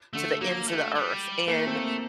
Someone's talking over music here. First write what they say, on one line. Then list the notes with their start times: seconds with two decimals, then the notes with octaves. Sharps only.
to the ends of the earth, and,
0.13 D3 A3
0.41 F#3 A#3
0.68 A3
0.95 G3
1.48 A3 A#3
1.67 C4
1.76 A#3